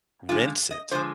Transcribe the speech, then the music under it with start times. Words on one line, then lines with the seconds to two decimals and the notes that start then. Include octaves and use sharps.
Rinse it?
0.29 D3 F3 G#3 F4
0.71 D#5
0.91 D3 F3 G#3 C5